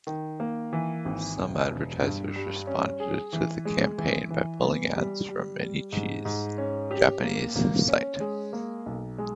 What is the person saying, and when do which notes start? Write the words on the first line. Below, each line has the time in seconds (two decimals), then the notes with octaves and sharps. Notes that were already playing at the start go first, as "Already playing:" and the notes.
Some advertisers responded to the campaign by pulling ads from "Mainichi"'s Japanese site.
0.07 D#3
0.40 A#3
0.73 E3
1.05 G#1
1.37 E1
1.69 E1
2.02 G2
2.36 G3
2.67 C#4
3.00 G#4
3.33 E3
3.65 G#3
3.98 E3
4.30 E3
4.63 B3
4.96 G3
5.28 G3
5.61 G3
5.93 G#2
6.25 G#2
6.58 C#4
6.91 G4
7.23 A#3
7.56 A#3
7.89 C#4
8.20 G#3
8.53 A#3
8.86 B1
9.18 G#3